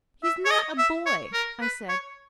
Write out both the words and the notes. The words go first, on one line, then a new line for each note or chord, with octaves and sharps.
"He is not a boy," I said.
E5
C#5
D#5
E5
C#5
A#4
B4
C#5